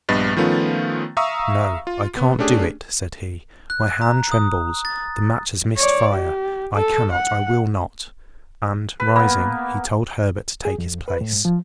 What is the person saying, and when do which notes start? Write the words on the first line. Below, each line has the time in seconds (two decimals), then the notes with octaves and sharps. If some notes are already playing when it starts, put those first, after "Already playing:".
"No, I can't do it," said he, "my hand trembles, the match has missed fire; I cannot, I will not!" and rising, he told Herbert to take his place.
0.09 A#1 G2 B3 D#5 A6
0.37 D#3 F3 A3 B3 C#4 F4
1.17 E5 F5 A#5 C#6 D#6 E6
1.87 F4
2.17 B3
2.39 A3 C#4 D4 G4 G#4
3.70 F#6
4.02 A#5
4.32 D#6
4.85 A6
5.77 C#5 D5
6.14 G4
6.74 A4
7.12 F#5
9.00 B4
9.16 A#3 B3 B5
10.65 G#4
10.78 F2
11.08 B4
11.21 A2
11.33 G#2
11.45 F3